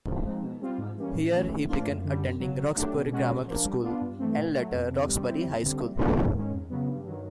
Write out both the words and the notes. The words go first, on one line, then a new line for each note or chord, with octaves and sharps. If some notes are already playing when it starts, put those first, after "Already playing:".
Here he began attending Roxbury Grammar School and later Roxbury High School.
F3
G#3 C4 D#4
B2
G3 C4 F4
G#2
E3 G3 A#3 C#4
A2
E3 A3 C#4
A2
F3 A#3 D4 F4
F#2
D3 G3
F#2
C#3 F#3
F#3
A3 D4 G4
B2
G#3 C#4 F#4
A#2
F3 A#3 D4
G3
B3 D4 F4
G2
E3 A3 C4
A#2
F#3 A3
F2
C3
D#3
G3
C4 E4
F2
D3 G3 C4
G3
B3 D4 F4 A4
G#2
D#3 G#3 C#4
F2
C#3 F#3 B3
G2
D#3 F#3